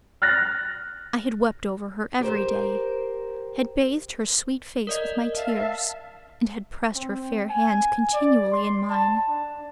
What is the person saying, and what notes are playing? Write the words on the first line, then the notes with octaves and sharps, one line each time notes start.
I had wept over her every Day--had bathed her sweet face with my tears and had pressed her fair Hands continually in mine--.
F6 F#6 A6 A#6
G4 A#4 C5
A#4 D5 D#5
E5 F5 A5
C4
G#5
D5
C6
A5
D4